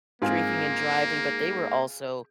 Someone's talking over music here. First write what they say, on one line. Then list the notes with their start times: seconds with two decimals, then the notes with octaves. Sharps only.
drinking and driving, but they were also,
0.22 G#2 A#3 C4 F4 G#4